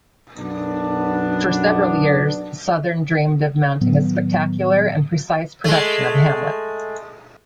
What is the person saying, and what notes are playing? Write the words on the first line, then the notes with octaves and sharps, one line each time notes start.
For several years, Sothern dreamed of mounting a spectacular and precise production of "Hamlet".
B1 F#2 B3 D4
A2 D#3 F#3 B3
G#3 A3